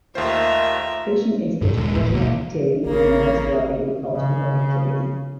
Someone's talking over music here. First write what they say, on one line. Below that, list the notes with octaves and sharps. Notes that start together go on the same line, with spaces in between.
Fishing is the traditional activity and low-scale agricultural activity.
D#2 D#3 A3 F4 C5 E5 A#5
G2 A#2
D#1 D#2 G#3
D#1 G#1 A2
C#2 B2 D3 A#3
A1 C#3 A#3 A#4
C#3